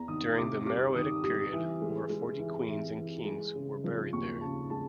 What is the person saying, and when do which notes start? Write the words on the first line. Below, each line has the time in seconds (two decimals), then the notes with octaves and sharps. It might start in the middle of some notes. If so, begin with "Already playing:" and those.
During the Meroitic period, over forty queens and kings were buried there.
Already playing: E2 A#5
0.08 D#3 D#6
0.37 C3 D6
0.66 G3 D6
0.95 D#3 D#6
1.24 G3 D#6
1.53 E3
1.81 G#3
2.10 G#3
2.39 E3
2.68 E3
2.98 E3
3.25 G#3
3.55 C#3
3.84 F3
4.13 D#2 C#6
4.41 C#3 A5
4.70 G#3 A5